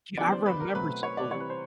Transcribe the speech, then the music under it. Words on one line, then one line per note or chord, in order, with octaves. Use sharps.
Yeah, I remember so
C#3 E3 G3 B3 D5
C5
B4
A#4
B2 F#3 A3 C4 B4
C#5
D5
C3 E3 G3 C4 C#5
B4
C5